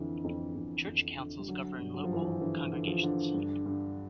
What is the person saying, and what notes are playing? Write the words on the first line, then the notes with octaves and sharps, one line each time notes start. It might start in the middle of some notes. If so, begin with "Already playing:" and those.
Church councils govern local congregations.
Already playing: F2 D3 E3
F2
F2
F2
D3
G3
D3 F#3
G2
F#3
F3
G2 E3
F3
D3 E3
D3
F3
D3
G2
G2